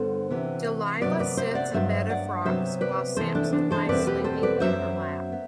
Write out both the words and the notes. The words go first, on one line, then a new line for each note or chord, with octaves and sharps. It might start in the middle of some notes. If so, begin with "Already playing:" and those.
Delilah sits a bed of rocks while Samson lies sleeping in her lap.
Already playing: G2 D3 G3 B3 A4 C5
C3 E3 B3
C3 F#3 B3 B4 D5
B4 D5
C5 E5
D5 F#5
G2 F#3 B3 C5 E5
D5 F#5
C3 F#3 B3 C5 E5
B4 D5
C3 E3 B3 A4 C5
D4
D4
A4 C5
E2 B2 G3 C4 B4 D5
G4 B4
A4 C5
B4 D5
F#2 F#3 B3 C5 E5
B3